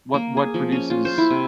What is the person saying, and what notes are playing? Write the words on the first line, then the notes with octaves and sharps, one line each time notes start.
what what produces
A#3
G#4
F3
C#4
F4
C5
E4
C3